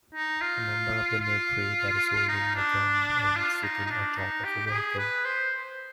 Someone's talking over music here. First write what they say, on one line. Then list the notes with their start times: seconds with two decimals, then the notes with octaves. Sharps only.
A member of the military that is holding a gun and sitting on top of a vehicle.
0.15 D#4
0.41 F4
1.21 F4
2.29 D#4
2.56 D4
3.36 F4
3.64 D#4
3.87 D#4
3.91 D4
4.18 D#4
4.44 G4
4.66 G4
4.71 G#4
4.99 B4
5.25 C5